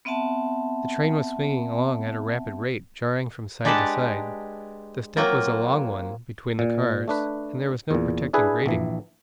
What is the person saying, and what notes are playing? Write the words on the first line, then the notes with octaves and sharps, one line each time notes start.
The train was swinging along at a rapid rate, jarring from side to side; the step was a long one between the cars and there was no protecting grating.
B3 C4 E5 F#5 A5
G#3 D4 G4 B4 F#5 A5
F#3 A#3 C4 F4 A#4
A#2
A3 D4 B4
E2 A#2
D4 E4 G#4 B4
A#1 E3